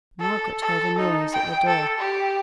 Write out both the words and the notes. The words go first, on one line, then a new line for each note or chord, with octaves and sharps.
Margaret heard a noise at the door.
A4
A4
D#4
G5
A4
G4